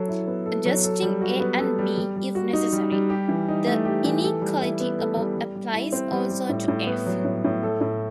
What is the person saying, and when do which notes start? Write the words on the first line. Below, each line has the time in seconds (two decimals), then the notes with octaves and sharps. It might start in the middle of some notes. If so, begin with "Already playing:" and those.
Adjusting "A" and "B" if necessary, the inequality above applies also to "F".
Already playing: F#3 A4
0.09 E4
0.27 B3
0.46 A4
0.66 F#3
0.84 A4
1.02 G3
1.22 F#4
1.40 B3
1.60 A4
1.79 G3
1.98 G3
2.16 G3
2.35 F#4
2.53 D#4
2.73 G3
2.92 G3
3.10 G4
3.29 E3
3.48 D#4
3.67 A3
3.85 G4
4.04 E3
4.24 A4
4.42 G3
4.61 E4
4.80 B3
4.99 A4
5.17 G3
5.37 G3
5.55 G3
5.74 E4
5.92 C4
6.12 G3
6.30 G3
6.49 A2
6.68 A2
6.87 B3
7.06 F#3
7.25 A2
7.44 A2
7.63 A4
7.81 A2